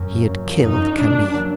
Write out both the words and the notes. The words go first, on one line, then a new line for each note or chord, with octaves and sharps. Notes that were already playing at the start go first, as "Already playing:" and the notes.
He had killed Camille.
Already playing: F#2
A#3
F#2
F3
F#2 D#4
F#2
F#2 D4
A#3
F#3